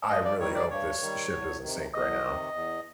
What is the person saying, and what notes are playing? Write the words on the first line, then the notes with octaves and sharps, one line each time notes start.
"I really hope this ship doesn't sink right now."
G2 D#5
D5
D#3 G3 C#5
D5
G2 C#5
D#3 G3
E2
C3 D#3
E2 D#5
C3 D#3
E2